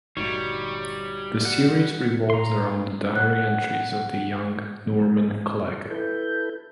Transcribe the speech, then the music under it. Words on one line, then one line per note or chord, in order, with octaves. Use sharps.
The series revolves around the diary entries of the young Norman Clegg.
G1 A#2 G3 A3 D#4 F#4 C#5
F#5
A2 A#5 C6
F#5 F#6
E4 A4 B4 G6